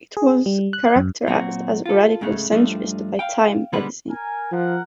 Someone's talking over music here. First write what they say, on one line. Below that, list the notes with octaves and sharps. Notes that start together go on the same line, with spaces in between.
It was characterized as radical centrist by "Time" magazine.
G#4
G3
F#6
F#2
A#2 F#3 C4 F#4
F4 A4
G#2 C#3 G#3 A3
G2 F3 A3 D4 D#4
F5 G5
B2 D3 G3 G#3 D4 B4
A#4 G#5
F3 A#4 F#5